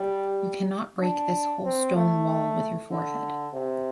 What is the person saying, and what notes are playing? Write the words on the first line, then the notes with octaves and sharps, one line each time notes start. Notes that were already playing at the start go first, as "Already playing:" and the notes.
You cannot break this whole stone wall with your forehead.
Already playing: G3
D4
C4
A3
D3
C3